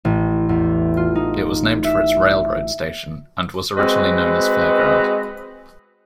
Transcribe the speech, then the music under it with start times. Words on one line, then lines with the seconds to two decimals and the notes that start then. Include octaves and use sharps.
It was named for its railroad station, and was originally known as "Fairground".
0.05 A1
0.49 E2
0.97 F4
1.15 D#4
1.84 E5
3.78 G#3 C4 F#4 B4 D#5